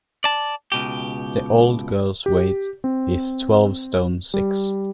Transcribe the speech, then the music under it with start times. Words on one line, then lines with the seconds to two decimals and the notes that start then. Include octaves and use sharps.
The old girl's weight — is twelve stone six.
0.24 D5 A5
0.72 C#2 B2 G4
2.26 G4
2.84 C4
4.34 G3